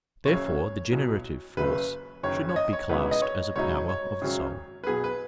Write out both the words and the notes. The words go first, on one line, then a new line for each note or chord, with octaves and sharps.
Therefore the generative force should not be classed as a power of the soul.
F#1 F#2 C#3 C#5
B1 B2 F#3
F#1 F#2 C#3 B4
F#1 F#2 D#3 C#5
C#5
D#5
C#5
C#2 B2 B3 D#4 B4
D#5
C#5
C#2 B2 F#3 D#4 C#5
C#5
G#1 F#2 C#3 F#3
B4
B1 B2 F#3 B3 G#4
B4